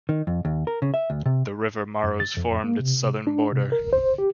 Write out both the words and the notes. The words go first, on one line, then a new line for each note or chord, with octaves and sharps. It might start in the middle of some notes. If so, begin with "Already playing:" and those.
The river Maros formed its southern border.
D#3
F2
D#2
A#4
C#3
E5
D2
C3
F#2
A6
F2
A#3
C3
D4
C3
A#4
C5
G4